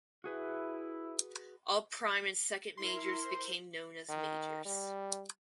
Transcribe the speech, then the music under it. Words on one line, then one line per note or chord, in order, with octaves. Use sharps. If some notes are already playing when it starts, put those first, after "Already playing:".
All prime and second majors became known as majors.
E4 F#4 G#4 B4
E4 A#4 C6
C5
D#3
G3